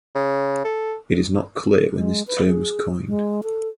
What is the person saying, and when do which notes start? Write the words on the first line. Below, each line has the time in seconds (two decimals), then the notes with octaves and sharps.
It is not clear when this term was coined.
0.15 C#3
0.65 A4
1.93 G#3
2.28 B4
2.46 G#4
3.08 G#3
3.43 A4